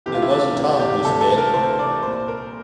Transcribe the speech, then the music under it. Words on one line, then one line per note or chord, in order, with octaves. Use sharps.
It wasn't Tom who spit.
D2 C3 E3 G4
F4
E4
D4
D2 C3 E3
G4
D2 C3 E3 A4
A4
A#4
D2 C3 E3 C5
D5
C2 A#2 C5
A#4